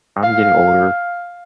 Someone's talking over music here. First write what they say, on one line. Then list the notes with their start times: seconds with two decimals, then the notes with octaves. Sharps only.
I'm getting older,
0.24 F5